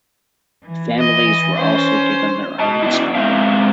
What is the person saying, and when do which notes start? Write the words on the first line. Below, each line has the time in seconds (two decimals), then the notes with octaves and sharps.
Families were also given their own spending money.
0.66 E3
0.98 D#5
1.55 C#4 C5
2.60 D#5 A5
2.82 B3 D4 E4
3.15 G#3 B3 C4 C5 E5 F5